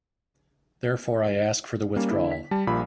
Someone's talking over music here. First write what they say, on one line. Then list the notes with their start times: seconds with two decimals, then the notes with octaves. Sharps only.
Therefore I ask for the withdrawal.
1.97 G3 A#3 C#4
2.11 D3 E4
2.31 B6
2.51 G3 A5
2.67 A#1 A#2 G3 B5